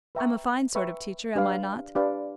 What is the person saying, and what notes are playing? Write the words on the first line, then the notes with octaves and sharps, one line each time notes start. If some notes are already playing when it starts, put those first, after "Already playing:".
I'm a fine sort of teacher, am I not?
B4 E5 G5 A#5 C#6
B4 E5 G5 A#5 C#6
D4 G4 B4 D5 F5
D4 G4 B4 D5 F5